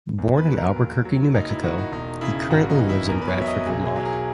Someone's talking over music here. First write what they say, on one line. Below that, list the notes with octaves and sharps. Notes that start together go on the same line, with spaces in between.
Born in Albuquerque, New Mexico, he currently lives in Bradford, Vermont.
E2
B4
F#3
A#4
D#2
F#3
F#1 D#4
E4
D#3 F#4
D#4
E1 D#4
C#3 E4
G#1 F#4
D#4
E3
E4
E2 A#4
B4
C#5
F#3 E5
D#5
B1 G#4
G#4
F#3
A#4
G#4